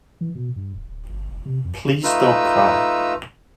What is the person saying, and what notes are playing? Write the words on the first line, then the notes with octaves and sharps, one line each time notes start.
Please don't cry.
E3
B2
G2
D1
D1
G1
F1
C3
F2
A3 D#4 F4 B4 A#5 E6